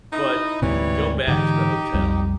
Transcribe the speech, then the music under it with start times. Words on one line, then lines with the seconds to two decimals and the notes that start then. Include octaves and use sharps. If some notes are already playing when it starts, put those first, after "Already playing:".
but we go back to the hotel,
0.13 D#4 E4 D#5
0.62 D2 G#2 C3 E3 G3 C#5
1.28 G#2 D3 E3 D#4 G4
1.94 B1 F2 G3